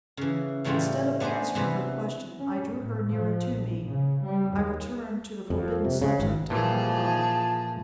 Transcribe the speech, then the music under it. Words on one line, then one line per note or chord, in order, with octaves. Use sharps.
Instead of answering her question, I drew her nearer to me--I returned to the forbidden subject of my love.
C#3 E3
A2 C#3 E3 G3 A3 F4
B3 D4 G#4 C5 D#5
C3 E3 B3 B4
C#4
A2
F3
A#1
C#3
G3
D#2
F2
C3
C#3
G#1
A#2 E3 F3 G#4 A5